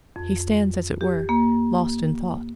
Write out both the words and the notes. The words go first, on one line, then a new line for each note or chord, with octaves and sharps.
He stands, as it were, lost in thought.
F2
G4
A#3